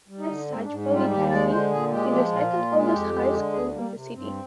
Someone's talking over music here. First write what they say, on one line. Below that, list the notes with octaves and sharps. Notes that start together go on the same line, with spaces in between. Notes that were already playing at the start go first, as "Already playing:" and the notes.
As such, Polytechnic is the second oldest high school in the city.
G3
D#4
D3
G#2 C4
D4
G#2
G3 F4
D#2 G4
G#3 D5
D3 C5
A#2 G#4
G#3 G4
F3 G4
A#2 F4
A#2
G#3
F4
F2 G4
G#3
D3
D2 G#4
G3 A#3
C3
G2 C4